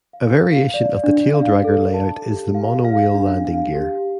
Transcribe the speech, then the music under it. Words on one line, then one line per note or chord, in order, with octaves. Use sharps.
A variation of the taildragger layout is the monowheel landing gear.
F5
F5
D5
D4
F5
A4
A5
G4
F5
F5
D4
F5
G4